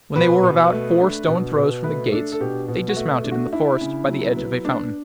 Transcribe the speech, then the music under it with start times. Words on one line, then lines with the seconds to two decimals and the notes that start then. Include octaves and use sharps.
When they were about four stone-throws from the gates they dismounted in the forest, by the edge of a fountain.
0.16 B2 B4
0.43 B2
0.72 A3
1.00 D4
1.27 B2
1.56 B2
1.84 A3 B4
2.12 D4 A4
2.32 A4
2.40 B2 G4
2.68 B2
2.89 F#4
2.96 A3
3.24 D4
3.32 F#4
3.53 D4 E4
3.81 C#3
4.08 F#3
4.37 B3
4.65 D4